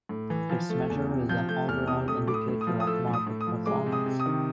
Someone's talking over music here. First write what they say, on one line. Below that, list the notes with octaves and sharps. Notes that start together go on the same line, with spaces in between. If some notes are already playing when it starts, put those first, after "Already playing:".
Its measure is an overall indicator of market performance.
A2
E3
F3
A3
E2
C3
F3 G6
A3 G6
E2 F6
C3 D#6
A3 D#6
A2 D6
D#6
A2
D#6
F3
D#6
A3 E6
A2
D#6
A2
D#6
F3
G#3 D6
C3
D#6
C3
D#6
D#3